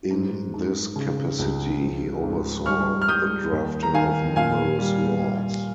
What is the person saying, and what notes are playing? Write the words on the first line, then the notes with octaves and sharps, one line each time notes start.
In this capacity, he oversaw the drafting of numerous laws.
G#2
G#2
C#3
C#2
F3
G#2
G3 C#6 F6
F6
G3 D#6 G6
D#2
A#5
D#3 F5 G#5
A#2 F5 G#5
G3
G3